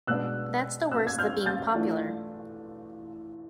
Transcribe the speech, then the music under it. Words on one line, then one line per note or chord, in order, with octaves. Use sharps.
That's the worst of being popular.
B2 G#3 B3 D4 E6 F#6
E6 F#6
G#6
F6 G6
G6 A6
E3 A3 D4 F4